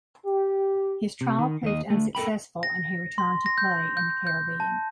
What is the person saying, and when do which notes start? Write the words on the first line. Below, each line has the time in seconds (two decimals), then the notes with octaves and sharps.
His trial proved unsuccessful and he returned to play in the Caribbean.
0.26 G4
1.21 C3
1.39 D#3
1.63 D#2 D#5
1.90 D2 A3
2.15 A4 A#4 G5 B5
2.63 A#6
3.18 C6
3.46 A#6
3.58 G6
3.97 G6
4.27 G6
4.60 A5